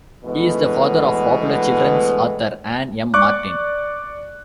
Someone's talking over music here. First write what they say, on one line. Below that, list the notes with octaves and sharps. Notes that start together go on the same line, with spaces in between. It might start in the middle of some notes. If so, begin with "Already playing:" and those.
He is the father of popular children's author Ann M. Martin.
B2 D3 E3 G#3 A3 B3
D5 C#6 D6 F#6